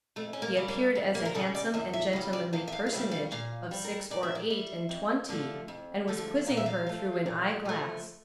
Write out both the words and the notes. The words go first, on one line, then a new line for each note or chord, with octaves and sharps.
He appeared as a handsome and gentlemanly personage of six or eight and twenty, and was quizzing her through an eye-glass.
F2 A3
C#4
A#3
C#3 G3
A#3
F2
A#3
A#4
C#3 G3 A4
D5
E2 E5
E5
C#3 G3
D5
E2 F5
E5
F5
F5
C#3 G3 E5
F5
A#2 F5
G3
A#4
A#2 D5
E5
D5
G3 E5
F2
D3 F3 A3
F2
D3 F3 A3
A#2 F5
E5
F5
F3 A3
A#2
F3 A3